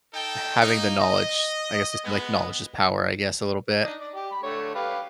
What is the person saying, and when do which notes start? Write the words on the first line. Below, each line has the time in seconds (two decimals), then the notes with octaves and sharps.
having the knowledge, I guess is, like, knowledge is power, I guess, a little bit,
0.14 D#4 A4 G5
0.60 A#3 D#4
0.98 D#5
2.04 G#3 B3
3.84 D4 D#4 D#5
4.01 D5
4.15 G4
4.31 B5
4.43 D3 A3 C#5
4.75 G4 B4 F5